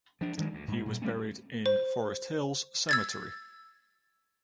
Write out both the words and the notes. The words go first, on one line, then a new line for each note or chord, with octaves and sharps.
He was buried in Forest Hills Cemetery.
F3 D4
D3 D#3 G3 G#3
D2
G#2 G#3
A#2 G3
G3 A3 C4 C#4
C5
E6 G#6 A6